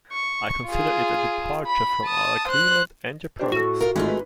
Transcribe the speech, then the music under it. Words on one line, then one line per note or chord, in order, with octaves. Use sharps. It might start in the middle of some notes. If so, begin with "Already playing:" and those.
I consider it a departure from our agreement and your promise.
C#6
F4 G#4
B5
A5 D#6
C5 F#6
D4 G4 C5
A2 F#4 A4
F4 A#4
G#1 G#3 A3 D#4 F4
B4